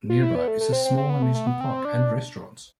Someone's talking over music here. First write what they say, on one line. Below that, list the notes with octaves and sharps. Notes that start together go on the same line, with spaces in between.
Nearby is a small amusement park and restaurants.
F4
E4
B3
A3
A3
C4
C4
C4
B3
A3
A3
B3
C4
D4